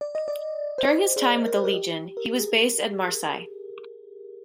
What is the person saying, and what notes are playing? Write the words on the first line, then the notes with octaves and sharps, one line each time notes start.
During his time with the Legion, he was based at Marseille.
D5
D#5
D5
C5
D5
G#4
A#4
C5
A#4
G4
A#4
G#4